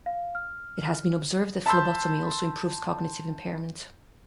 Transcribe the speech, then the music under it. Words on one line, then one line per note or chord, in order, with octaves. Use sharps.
It has been observed that phlebotomy also improves cognitive impairment.
F5
F6
A5 B5 C6 E6 G6